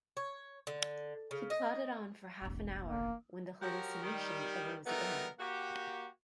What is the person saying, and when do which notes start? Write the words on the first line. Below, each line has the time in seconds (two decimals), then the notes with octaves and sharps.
He plodded on for half an hour, when the hallucination arose again.
0.17 C#5
0.67 D3
1.31 C#3
1.50 D#5
2.41 E1 A1
2.84 A#3
3.60 F3 F#3 F#4 G4 A#4
4.03 D#3 G3
4.86 F#3 G3 A3 B3 D#4 A#4
5.39 A#3 F#4 G4